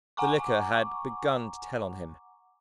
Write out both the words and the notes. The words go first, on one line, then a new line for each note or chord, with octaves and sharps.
The liquor had begun to tell on him.
F#5 G#5 A#5 C#6 D6